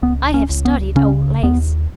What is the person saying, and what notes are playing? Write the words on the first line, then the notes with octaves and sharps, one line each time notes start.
I have studied old lace.
C#2 B3
C#4
C#2
B3
C#3 C#4
D#2 B3